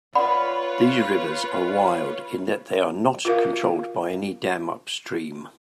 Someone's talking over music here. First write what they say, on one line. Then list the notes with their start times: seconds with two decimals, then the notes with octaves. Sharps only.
These rivers are 'wild', in that they are not controlled by any dam upstream.
0.15 F4 B4 C#5 D5 F#5 B5
3.25 F4 F#4 A#4 F5